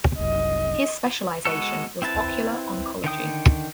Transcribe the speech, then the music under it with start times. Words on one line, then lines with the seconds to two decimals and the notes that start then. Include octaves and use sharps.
His specialization was ocular oncology.
0.19 F#1 C2 F#2 D#5
1.45 G#3 B3 F#4 A4
2.02 C4 E4 B4 A5
3.04 D3 D#3 G5 D#6